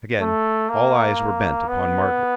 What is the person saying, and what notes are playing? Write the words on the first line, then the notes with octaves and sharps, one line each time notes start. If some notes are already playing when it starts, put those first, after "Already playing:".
Again all eyes were bent upon Margaret.
A3
A#3
B3